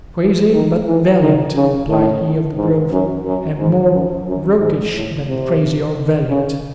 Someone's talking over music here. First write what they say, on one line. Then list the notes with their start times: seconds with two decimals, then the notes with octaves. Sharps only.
"Crazy but valiant," replied he of the Grove, "and more roguish than crazy or valiant."
0.20 E3
0.53 D#3
0.87 E3
1.21 D#3
1.55 C#3
1.88 A2
2.57 G#2
2.91 F#2
3.24 F#2
3.58 G#2
3.92 F#2
4.26 F#2
4.59 G#2
4.93 A2
5.28 C3
6.29 C#3